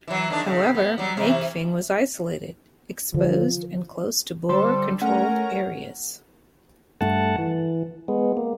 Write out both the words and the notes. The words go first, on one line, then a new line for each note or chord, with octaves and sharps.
However, Mafeking was isolated, exposed and close to Boer controlled areas.
E3 F#3
D#3 G#3 D4
C#3
B3
F#3 G3
C3 E3
D3 F3
D3 G3 A4 C5 C6
A3 C#4 A#4 F#5 A#5
G2 A3 F#5 A5
E3
G#3 B3
A#3